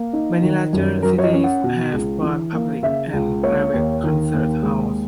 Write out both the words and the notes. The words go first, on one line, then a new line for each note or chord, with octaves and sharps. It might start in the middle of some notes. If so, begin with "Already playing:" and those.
Many larger cities have both public and private concert halls.
Already playing: A#3
D#4
D#3
F#2
F#3 A#4
C#5
D#5
C#4
F#5
B2
C#2
E3
A#3
C#3 E5
C#2
A#3 C#5
D#2
D#3
D#2
G#3